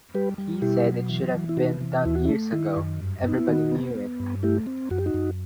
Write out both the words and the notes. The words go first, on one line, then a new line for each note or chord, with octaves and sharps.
He said it should have been done years ago, everybody knew it.
G3 G4 B4
G3
B2 E4 G4
F#3
E3
E3
E4
C3 D#4 F#4
E3
D#2 E4
F#4
E4
A3
D#3 E4
F#2
G2
B3 D#4
E4
D#3 D#4 F#4
B3
B3
G2
A3 E4 G4
C4
F#2 F#4
G4
D#4 F#4
F#2